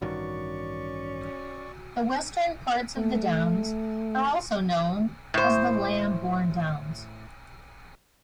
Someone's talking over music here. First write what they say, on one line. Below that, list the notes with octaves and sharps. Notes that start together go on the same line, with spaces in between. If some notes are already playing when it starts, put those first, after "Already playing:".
The western parts of the downs are also known as the Lambourn Downs.
A1 G2 D#3 C#4 F#4 D5 C#6
A3
A2 C5